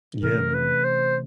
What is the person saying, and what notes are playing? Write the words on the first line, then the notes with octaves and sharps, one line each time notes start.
Yeah, man.
C3 E3 A3 C#4 A#4
B4
C5